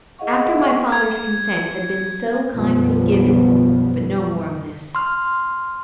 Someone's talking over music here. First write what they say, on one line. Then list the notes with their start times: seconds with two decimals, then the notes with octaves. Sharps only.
After my father's consent had been so kindly given--but no more of this.
0.19 E4 G#4 D#5 F5 F#5 C#6
0.92 G#6
2.52 B1 F#2 B2 F3 G3 B3
4.95 C6 F6